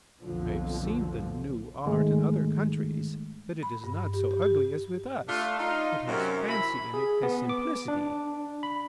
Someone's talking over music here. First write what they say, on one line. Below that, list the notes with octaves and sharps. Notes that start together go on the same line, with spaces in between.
I have seen the 'new art' in other countries, but it is not so ugly as with us; it has fancy and it has simplicity.
B1 F2 A#2 D3 F3
G#2 D#3 G#3 A3
B5
G2
G4
G4
G4
A3 D4 F4
D#4 F4
F#2 C3
E4 B5
G#4
B3
D6
D4
B5